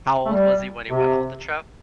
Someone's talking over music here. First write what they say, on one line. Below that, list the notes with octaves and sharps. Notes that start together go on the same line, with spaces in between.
How old was he when he went on the trip?
A3
G3
C3